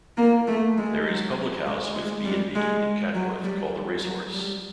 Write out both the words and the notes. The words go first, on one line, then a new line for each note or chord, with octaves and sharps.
There is public house with B and B in Catworth called The Racehorse.
A#3
A3
G#3
F#3
G#3
G#3
G3
G#3
F#3
G3
F#3
G3